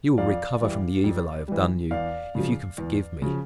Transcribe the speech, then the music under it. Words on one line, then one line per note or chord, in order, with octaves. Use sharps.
You will recover from the evil I have done you, if you can forgive me.
F2 D5 F5
E3 G3
F2
E3 G3
E2 D5 F5
C#3 F3
E2
C#3 F3